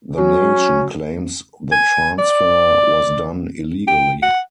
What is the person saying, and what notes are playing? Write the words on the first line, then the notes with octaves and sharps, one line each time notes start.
The Nation claims the transfer was done illegally.
F#3 C#4
G#5
D5
G5
F#5